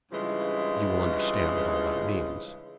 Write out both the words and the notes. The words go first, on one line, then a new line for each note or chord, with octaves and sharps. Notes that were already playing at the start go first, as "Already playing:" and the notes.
You will understand what all that means.
G2 C#3 E3 F3 G#3